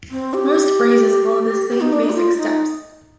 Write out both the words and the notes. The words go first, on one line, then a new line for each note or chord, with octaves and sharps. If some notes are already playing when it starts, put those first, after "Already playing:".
Most braises follow the same basic steps.
C4
G4
G4
D#4
D4
D#4
G4
F4
D#4